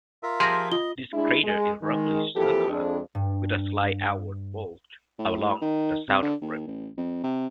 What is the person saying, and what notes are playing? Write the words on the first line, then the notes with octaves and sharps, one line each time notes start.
This crater is roughly circular, with a slight outward bulge along the southern rim.
F4 A#4 E5
F3 G4 G#4 C6 A#6
F4 D#5 G7
G#3 D4 E4
G#3
D#3 G#3
F2 E3 F3 A#3 G4 A4
F2 G#3 D4
G2
A2
D#3
C3
D3
D#2
A1
F2
C3